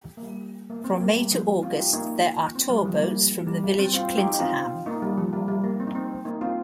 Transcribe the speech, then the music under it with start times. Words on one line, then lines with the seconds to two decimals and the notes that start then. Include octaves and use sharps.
From May to August there are tour boats from the village Klintehamn.
0.17 A#3
0.23 G3
0.70 A#3
0.80 A#3
0.84 C4
1.01 A#3
1.16 G3
1.32 F3
1.63 C4 F4
1.77 D#4 G4
1.93 A#3 D#4
2.55 C4
2.70 G3
2.85 F3
2.95 A#3
3.02 G3
3.47 G3
3.64 G3
3.79 C4
3.93 C4 F4
4.17 D#4 G4
4.34 D#4
4.40 C4 F4
4.86 A#3 D#4
5.02 G3
5.18 F3
5.33 G3
5.48 G3
5.64 A#3
5.80 C4
5.87 D#4
5.95 C4
6.25 A#3 D#4
6.41 C4 F4